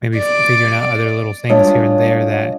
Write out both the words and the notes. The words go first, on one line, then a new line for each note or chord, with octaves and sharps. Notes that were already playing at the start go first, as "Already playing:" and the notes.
maybe f figuring out other little things here and there that
D5
G3 G#3 D4 F4 C#5 D#5